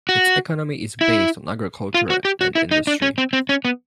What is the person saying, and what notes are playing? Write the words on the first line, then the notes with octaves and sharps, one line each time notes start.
Its economy is based on agriculture and industry.
F#4
E4
F4
F#4
G4
F#4
E4
D#4
D4
C#4
C4
C4
C#4
B3